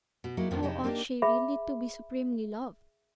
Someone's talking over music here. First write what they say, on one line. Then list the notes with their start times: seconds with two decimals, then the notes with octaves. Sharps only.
How ought she really to be supremely loved!
0.24 B2
0.37 F#3 G#3 A#3 D#4 E4
0.51 F2 A2 D#3 F3 B3 C4
0.62 F2 C3 G#3 C4 D4 D#4
0.84 A#3 D4 D#4 G4
1.22 G#4 E5 B5